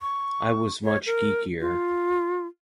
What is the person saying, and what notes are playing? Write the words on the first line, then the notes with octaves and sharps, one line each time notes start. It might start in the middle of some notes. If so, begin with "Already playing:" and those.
I was much geekier.
C#6
C#5
A#4
F4